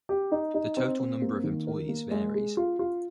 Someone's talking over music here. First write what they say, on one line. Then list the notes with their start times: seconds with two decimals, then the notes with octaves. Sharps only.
The total number of employees varies.
0.09 G4
0.32 D#4
0.54 D#4
0.77 C4
1.00 C4
1.22 A#3
1.43 D#3
1.67 A#4
1.89 A#3
2.11 G#3
2.34 G#4
2.57 F4
2.79 F4